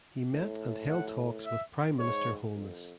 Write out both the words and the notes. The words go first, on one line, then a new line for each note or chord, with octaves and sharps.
He met and held talks with Prime Minister Holness.
A2
F#5
E5
G#2 C#5
F2